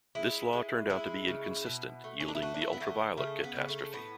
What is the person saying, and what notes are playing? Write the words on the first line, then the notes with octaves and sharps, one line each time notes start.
This law turned out to be inconsistent yielding the ultraviolet catastrophe.
G#3 E4
G#3
G#3 E4
C#3
B2
A3
C#4
D4
E4
A3 F#4
D4
E4
B3
D3 A3
C#3 A3
B3
C#3
A3
A2 B3